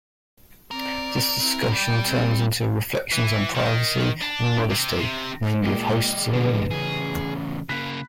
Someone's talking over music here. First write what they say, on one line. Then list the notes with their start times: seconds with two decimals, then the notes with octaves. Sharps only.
This discussion turns into reflections on privacy and modesty, namely of hosts and women.
0.71 C4 A#4 D5
1.38 C4 E4
1.72 G3 D5 G5
2.07 C4
3.12 E3
3.55 D#3
4.21 D4
4.71 C3
4.99 C3
5.64 A#2 G#3 G4
6.33 F2 D3 B4
6.71 E2 C#3 G#4
7.69 C#3 A#3 B5 F#6 B6